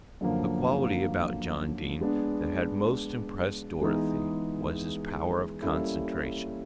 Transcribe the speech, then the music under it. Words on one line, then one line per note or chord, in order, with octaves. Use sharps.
The quality about John Dene that had most impressed Dorothy was his power of concentration.
F#2 D3 F3 A#3
G#3 B3 D4
E3 G#3 B3 D#4 G#4
G3 A#3 C#4 E4 A4